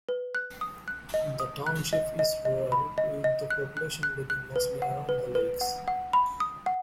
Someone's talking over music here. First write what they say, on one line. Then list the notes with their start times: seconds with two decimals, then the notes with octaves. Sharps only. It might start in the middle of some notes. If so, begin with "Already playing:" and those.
The township is rural with the population living mostly around the lakes.
0.09 B4
0.35 F#6
0.61 D#6
0.88 F#6
1.14 D#5
1.40 D#6
1.66 F#6
1.93 D#5
2.19 D#5
2.45 D#5
2.72 B5
2.98 D#5
3.24 D#5
3.50 F#6
3.77 F#6
4.03 F#6
4.30 F#6
4.56 B4
4.82 F#5
5.09 B4
5.35 B4
5.61 F#5
5.88 F#5
6.13 B5
6.40 D#6
6.66 F#5